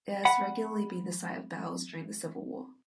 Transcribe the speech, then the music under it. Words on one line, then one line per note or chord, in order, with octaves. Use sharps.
It has regularly been the site of battles during the civil war.
F#5 B5